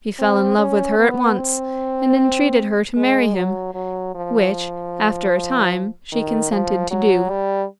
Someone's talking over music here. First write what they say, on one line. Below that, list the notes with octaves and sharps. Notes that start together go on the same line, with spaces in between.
He fell in love with her at once, and entreated her to marry him, which, after a time, she consented to do.
C4
C#4
B3
C4
G#3
F#3
F#3
F3
D#3
F3
F#3
G3